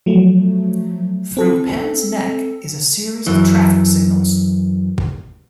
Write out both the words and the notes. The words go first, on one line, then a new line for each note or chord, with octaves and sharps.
Through Penns Neck is a series of traffic signals.
F3 F#3 A3
C4 A4
F#2 E3